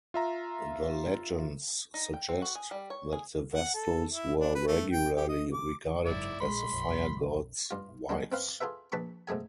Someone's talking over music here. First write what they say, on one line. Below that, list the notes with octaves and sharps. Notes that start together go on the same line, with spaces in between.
The legends suggest that the Vestals were regularly regarded as the fire-god's wives.
F4 E5 A#5
D#4
G5
C4
F#4
G#4
G3
C#5
G#4
F#5
A4
E4
D4
B4
A3
G5
G4
D#5
D6
F#1 G#2 E4 D5
A#1 G#3 B5 C6
B1 F#2
G2 F4
F#3 G#3 A#3 D4
C4 B4 F5
F4 G#4 A4 B4 E5
A#1 B4 A5 B5 C#6
B1 G#2 A3 G#4 G#5